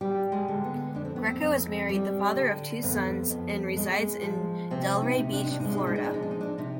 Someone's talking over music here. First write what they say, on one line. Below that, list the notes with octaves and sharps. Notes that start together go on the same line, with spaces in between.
Greco is married, the father of two sons, and resides in Delray Beach, Florida.
G3 G4
G#3
D3
B3
F2 D4
C4
B3
C4
F2
G3
D3
F2 B3
F2
G#3
F3
C3 C4
D#4
C3
D4
D#4
D4
D#4
G#3 D4
D#4
D4
D#4
D4
F3 D#4
D4
D#4
D4
C3 D#4